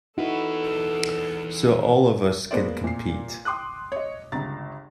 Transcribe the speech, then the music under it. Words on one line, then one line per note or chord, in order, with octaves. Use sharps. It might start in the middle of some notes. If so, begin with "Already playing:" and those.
So all of us can compete.
E2 D#4 E4 F#4 A4 B4
G#3 A#3 B3 A#4 C5 D5
A#2 C7
G5 C6 D6 D#6 F#6
C#5 D#5
G1 C#2 A#5 A6